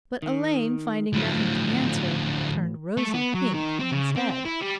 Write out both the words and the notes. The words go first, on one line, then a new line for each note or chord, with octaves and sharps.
But Elaine, finding nothing to answer, turned rosy pink instead.
D#3
D2 A2 F3 F#3
A3
B3
F#3
D#3
C4
C#3
C4
C4
E4
G3